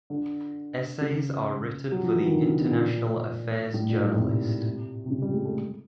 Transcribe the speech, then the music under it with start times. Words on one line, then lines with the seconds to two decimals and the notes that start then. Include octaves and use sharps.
Essays are written for the international affairs generalist.
0.10 D3
1.01 C#3
1.91 F#3
2.03 F3
2.15 E3
2.26 D#3
2.37 D3
2.48 C#3
2.60 B2
2.71 A#2
3.74 A2
3.89 A#2
3.97 G#2
4.04 A2
4.19 C3
5.06 C3
5.10 C#3
5.22 G3
5.33 G#3
5.45 A3